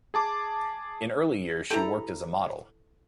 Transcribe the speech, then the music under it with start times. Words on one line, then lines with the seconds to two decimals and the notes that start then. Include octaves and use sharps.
In early years she worked as a model.
0.14 G#4 A5 D6
1.71 E4 G4 A4 A#5